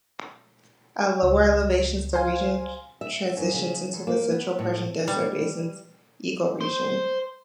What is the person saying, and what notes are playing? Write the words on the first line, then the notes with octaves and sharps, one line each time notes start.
At lower elevations the region transitions into the Central Persian desert basins ecoregion.
C#2
C5 F5 G#5
E5
F#2
C#3
E2
A#3
B3
A2
G3
C5